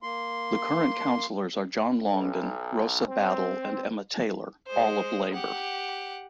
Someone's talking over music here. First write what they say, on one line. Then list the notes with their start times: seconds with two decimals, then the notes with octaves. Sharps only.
The current councillors are John Longden, Rosa Battle and Emma Taylor, all of Labour.
0.03 A#3 C6
2.10 B1
3.09 C4
4.67 G#3 C5
5.33 G4 F#5